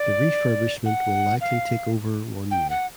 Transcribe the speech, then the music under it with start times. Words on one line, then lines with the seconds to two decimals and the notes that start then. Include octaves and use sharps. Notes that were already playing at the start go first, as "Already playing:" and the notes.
The refurbishment will likely take over one year.
Already playing: D5
0.86 F#5
1.41 F5
2.51 G5
2.70 F#5